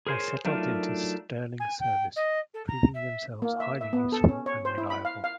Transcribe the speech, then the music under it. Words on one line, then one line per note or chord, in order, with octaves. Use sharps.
They settled into sterling service, proving themselves highly useful and reliable.
G#4 A#4 C5 C#5 G#5
F#3 A3 D4 D#4 F4 A#4
G#5
G5
D#5
A4
A#5
E5
A#3
E5
E5
B3
A4
C#4
C#5
C5
E4
B5
F5
F5